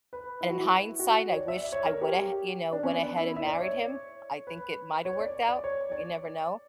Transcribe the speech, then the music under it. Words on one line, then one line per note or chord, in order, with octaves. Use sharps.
and in hindsight I wish I went ahea you know, went ahead and married him. I think it might have worked out. You never know.
B4
E4
F#4
E4
F#4
C#5
D5
E5
D5
C#5
A#4
G4
G4
D4
C#4
B3
D4
E4
E5
D5
C#5
B4
C#5
D5
D5
C#5
D5